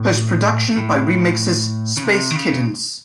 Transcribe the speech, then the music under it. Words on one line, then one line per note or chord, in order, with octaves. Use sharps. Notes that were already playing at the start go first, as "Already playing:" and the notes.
Post production by re-mixers 'Space Kittens'.
Already playing: A2
A2
C#3
C3
D#3
C#3